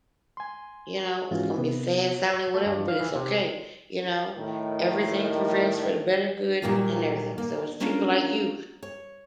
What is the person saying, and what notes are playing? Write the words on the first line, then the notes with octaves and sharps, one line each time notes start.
you know? It's gonna be sad, sadly, whatever, but it's okay, you know? Everything prevails for the better good, and everything, so, it's people like you
G#5 C6
G#2 E3 C#4 F4 F#4
C3 B3
C#5
A3
G2
F5
E3
C3
A2 D#3
A#2 D#3 F#3 G3 A#3 F4
A#3
A#3 C#4 D4 F4
C#5